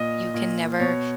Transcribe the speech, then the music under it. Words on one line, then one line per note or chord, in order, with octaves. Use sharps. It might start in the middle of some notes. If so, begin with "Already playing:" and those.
you can never
Already playing: A#2 D#5
A#2
B2 C#5